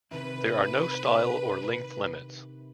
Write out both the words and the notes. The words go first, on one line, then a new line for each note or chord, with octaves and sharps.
There are no style or length limits.
C3 D#3 E4 B4